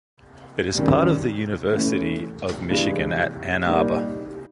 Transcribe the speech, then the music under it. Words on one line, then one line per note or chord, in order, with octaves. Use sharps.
It is part of the University of Michigan at Ann Arbor.
F#2 D#3 G3
E3 A3 C#4
G2 E3 G#3
A#2 G3 A#3 D#4